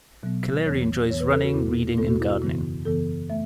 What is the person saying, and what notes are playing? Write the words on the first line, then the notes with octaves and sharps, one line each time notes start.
Kaleri enjoys running, reading and gardening.
B2 F#3 B3
E2 E3 B3 C#5
E2 E3 B3 C#5
B4
A4
F#4
E2 B2 B3 E4
E2 B2 B3 A4
F#4
E4
F#4
F#2 C#3 E3 B3
F#2 C#3 E3 B3 A4
A3 E5